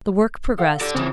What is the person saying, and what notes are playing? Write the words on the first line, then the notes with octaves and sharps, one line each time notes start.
The work progressed.
A4 F5 F#5
G4 A4 D5
C#3 E3 C4